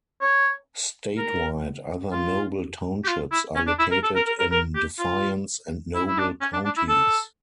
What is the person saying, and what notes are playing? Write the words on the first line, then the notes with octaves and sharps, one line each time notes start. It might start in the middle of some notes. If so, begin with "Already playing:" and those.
Statewide, other Noble Townships are located in Defiance and Noble counties.
C#5
A#4
F4
G4
F4
E4
C#4
D4
E4
A#4
A4
A#4
A#4
A#4
A#4
G4
F4
E4
E4
D4
C#4
D4
D4
E4
A4